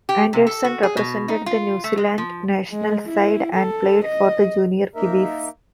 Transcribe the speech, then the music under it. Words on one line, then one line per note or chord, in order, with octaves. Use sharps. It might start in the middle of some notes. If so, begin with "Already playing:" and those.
Anderson represented the New Zealand national side and played for the Junior Kiwis.
G4
C3
A4
F#4
G#4
B2
D#4
F4
A3
G#3
F3
G#3
E4
A4
D#5
A#3 D#4 A#4 E5